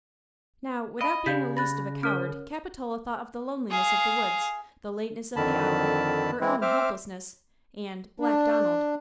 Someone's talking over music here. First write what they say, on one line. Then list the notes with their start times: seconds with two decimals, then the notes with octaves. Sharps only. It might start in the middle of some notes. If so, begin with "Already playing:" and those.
Now, without being the least of a coward, Capitola thought of the loneliness of the woods, the lateness of the hour, her own helplessness, and--Black Donald!
1.01 D#5 F5 B5 D7
1.26 C#3 G4 D5 F5 G6 B6
1.57 B5 F#6 A6 A#6
2.03 C#4 A#4 C#5 F6
3.70 G#4 F5
5.36 F2 D3 D#3 A5 B5
6.41 E3 G#3 C4 E4
6.62 C4 C5 E5 D6 F6
8.20 D4